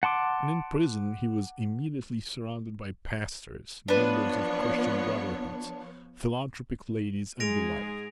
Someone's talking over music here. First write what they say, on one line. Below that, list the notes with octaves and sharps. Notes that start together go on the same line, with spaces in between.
And in prison he was immediately surrounded by pastors, members of Christian brotherhoods, philanthropic ladies, and the like.
F#5 A5 C6 D6
F3 B3 D4 B4 C#5
G#2 G#3 G#4 A#6 D7 F7